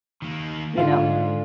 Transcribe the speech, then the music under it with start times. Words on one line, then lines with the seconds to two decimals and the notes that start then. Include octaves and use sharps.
You know?
0.22 D#3 A#3
0.78 G#2 D3 F4